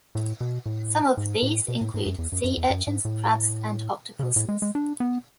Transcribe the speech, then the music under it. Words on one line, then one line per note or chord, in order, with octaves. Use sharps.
Some of these include sea urchins, crabs and octopuses.
A2
B2
A2
G#2
A2
B2
A2
G#2
F#2
E2
F#2
F#2
E2
F#2
G#2
A2
C#3
B2
A2
G#3
G#3
D4
B3